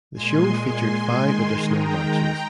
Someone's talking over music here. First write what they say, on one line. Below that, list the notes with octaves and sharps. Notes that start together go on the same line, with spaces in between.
The show featured five additional matches.
A#2 G#3 G#5 C6
G#5 C6
D#3 G#3
G5 A#5